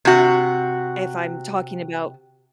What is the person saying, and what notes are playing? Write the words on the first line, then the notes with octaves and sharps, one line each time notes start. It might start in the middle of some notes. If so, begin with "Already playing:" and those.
if I'm talking about
C3 F#4